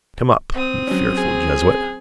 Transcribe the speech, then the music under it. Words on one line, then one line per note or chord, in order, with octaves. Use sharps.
Come up, you fearful jesuit!
C4 D#6
F#3 C#4
G#4